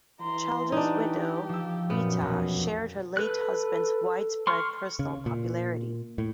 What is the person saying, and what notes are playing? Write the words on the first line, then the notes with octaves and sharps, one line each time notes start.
Childers's widow, Rita, shared her late husband's widespread personal popularity.
E3 A#5 C6
D4 D#4 G4
F3 E6
F#2 A#2 B3 D6 F6
E1 B1 F2
A4 B4 F#6
C6 C#6 F6
C#3
A#2
A2